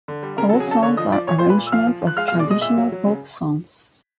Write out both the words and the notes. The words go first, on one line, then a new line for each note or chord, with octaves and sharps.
All songs are arrangements of traditional folk songs.
D3
G3
C#3 A#4 A#5
A4 A5
F#3
G#4 G#5
C#3 A4 A5
D3 C#5 C#6
F3 D#5 D#6
F3 D5 D6
A#2 C#5 C#6
C5 C6
A#2
B4 B5
A#2
E6
F3 F5 F6
F3
F3
F#6
G#3 F5 F6
F5 F6
B2
D5 D6
G#3 D#5 D#6
A#2 E5 E6
F#3
F#3
C#3